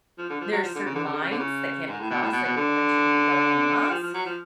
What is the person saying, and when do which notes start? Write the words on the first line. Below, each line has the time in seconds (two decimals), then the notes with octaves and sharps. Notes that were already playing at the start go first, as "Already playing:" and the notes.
there are certain lines that can't be crossed, like, a woman shouldn't be going in the mosque,
0.18 F3
0.30 D3
0.41 F3
0.52 F#3
0.63 F3
0.75 D3
0.86 C#3
0.95 D3
1.04 C#3
1.13 D3
1.21 C#3
1.31 D3
1.39 C#3
1.88 G#2
2.00 A2
2.10 B2
2.22 A2
2.33 B2
2.44 B2
2.56 D3
3.91 F3
4.03 F3
4.14 F#3
4.25 F3